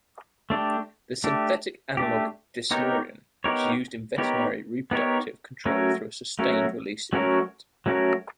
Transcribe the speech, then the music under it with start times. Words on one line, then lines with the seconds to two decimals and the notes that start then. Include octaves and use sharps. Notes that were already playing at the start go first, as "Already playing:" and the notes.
The synthetic analogue Deslorelin is used in veterinary reproductive control through a sustained-release implant.
0.50 A3 D4 G4
1.24 A3 D4 G4
1.97 A3 D4 G4
2.71 B3 D#4 G4 A#4 C#5
3.44 B3 D#4 G4 A#4 C#5
4.18 B3 D#4 G4 A#4 C#5
4.91 B3 D#4 G4 A#4 C#5
5.65 F#3 A3 C#4 F#4 A#4
6.39 F#3 A3 C#4 F#4 A#4
7.13 F#3 A3 C#4 F#4 A#4
7.86 F#3 A3 C#4 F#4 A#4